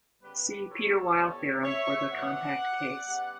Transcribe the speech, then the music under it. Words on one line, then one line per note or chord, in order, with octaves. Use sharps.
See Peter-Weyl theorem for the compact case.
C#3 G3 B3 G4 B4
A4 C#5
A2 G3 B3
C#5 E5
B2 F#3 B3 D5 F#5
C#3 G3 B3